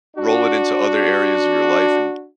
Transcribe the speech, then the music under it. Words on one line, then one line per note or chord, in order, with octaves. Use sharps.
roll it into other areas of your life, and
D4 F#4